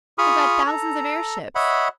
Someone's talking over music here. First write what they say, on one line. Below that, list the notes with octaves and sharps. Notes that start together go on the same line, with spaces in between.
They've got thousands of airships.
F4 G#4 B5 C#6 D#6 F6
A4 A#5
C#5 D#5 E5 F#5 B5